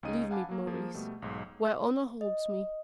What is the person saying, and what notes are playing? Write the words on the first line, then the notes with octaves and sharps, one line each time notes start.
Leave me, Maurice, where honor holds me.
C#2 C#4 D#4 D#5 D#7
F5 F#5 G#5 A5 B5 D6
F#3 A#3
F3 A#3 G#4 A#4
B2 G3 A3
B1 G#2
D#5